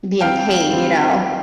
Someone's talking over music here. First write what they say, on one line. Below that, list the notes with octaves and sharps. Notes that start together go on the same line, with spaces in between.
be in pain, you know?
F2 F5 G5
D3 G3 C4
F2